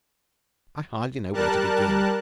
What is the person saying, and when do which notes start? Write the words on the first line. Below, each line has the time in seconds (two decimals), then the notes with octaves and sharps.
I hardly know where to begin.
1.33 G3 A#4 A5 F#6